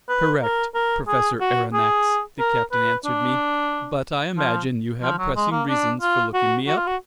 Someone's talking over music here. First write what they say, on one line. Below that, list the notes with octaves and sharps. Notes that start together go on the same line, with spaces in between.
"Correct, Professor Aronnax," the captain answered me. "But I imagine you have pressing reasons for looking me up?"
B4
A#4
A#4
G#4
F#4
G#4
A#4
B4
D4
F3
F3
F#3
G#3
A#3
D4
F4
F#4
F#4
F4
F#4